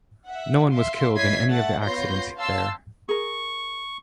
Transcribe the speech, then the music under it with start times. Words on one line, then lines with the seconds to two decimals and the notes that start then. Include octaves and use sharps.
No one was killed in any of the accidents there.
0.26 E5 F#5
0.72 E5 F5 C6
1.14 E4 C#5 D#5 G#6 B6 C7
1.49 A3 E5 F#5 A6
1.82 B3 F4 C#5 C6 G6 A#6
2.36 F5 A5 C6 E6
3.09 G#4 A#4 C#6